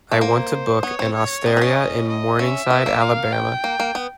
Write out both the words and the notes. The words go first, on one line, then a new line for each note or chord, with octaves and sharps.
I want to book an osteria in Morningside Alabama.
A3
A#3 C5
B3 C#5
C4
C#5
C4 D#5
C4
C#4
D#5
C#4 E5
B3
A#3
F5
G5
A#3
A#3
B3